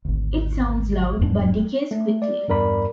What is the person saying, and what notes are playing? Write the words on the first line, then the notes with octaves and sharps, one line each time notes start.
It sounds loud, but decays quickly.
G#1 D2
D1 E2 G#2 D4
A3
D5
E2 G2 A#4 D5 B5